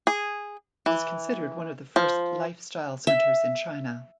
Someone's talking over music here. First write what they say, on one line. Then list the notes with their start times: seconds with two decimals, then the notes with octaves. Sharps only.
It is considered one of the first lifestyle centers in China.
0.07 G#4
0.86 E3
1.96 F3
3.07 E5